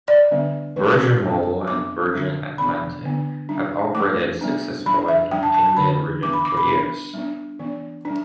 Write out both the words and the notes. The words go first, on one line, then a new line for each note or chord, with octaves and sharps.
Virgin Mobile and Virgin Atlantic have operated successfully in the Indian region for years.
D5
D3 G3 B3 D4
E3 A3 D4 B4
G3 D4
G3 B3 D4 D6
D3 G3 D4
E3 B3 D4 B5
D3 B3 D4
G3 D4
E3 A3 D4 D6
G3 B3 D4
E3 G3 D4 B5
E5
G3 D4 G5
A5
A5
A5
D3 A3 D4 B5
G3 B3 D4 D6
B5
D6
B5
G3 B3 D4 B5
G3 B3 D4
E3 B3 D4
G3 D4